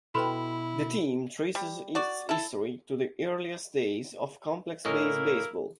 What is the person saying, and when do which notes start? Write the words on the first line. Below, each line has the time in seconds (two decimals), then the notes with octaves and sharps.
The team traces its history to the earliest days of "complex-based" baseball.
0.15 B2 E4 A4 B4 G5 B5 C6
1.55 G3
1.95 F#4 D5
2.29 E4 A4
4.85 A2 A#3 C#4 E4 A#4 D#5